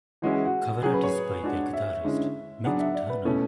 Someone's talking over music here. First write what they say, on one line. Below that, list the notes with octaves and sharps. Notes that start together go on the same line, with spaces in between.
Cover art is by their guitarist, Mick Turner.
E3 G#3 C#4 E4 F#4
G#4
F#4
F#3 C#4 F#4 G#4
B4
C#5
G#3 D4 F#4
E5
D3 G#3 C#4 E4
F#3 B3 D4 G#4 B4 F#5
E5
D5
B4
B2 A3 C#4 E4 A4